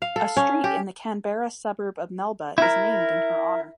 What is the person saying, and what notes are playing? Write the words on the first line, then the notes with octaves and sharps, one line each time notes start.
A street in the Canberra suburb of Melba is named in her honour.
F5
A4
C#4
G4
E4 A#4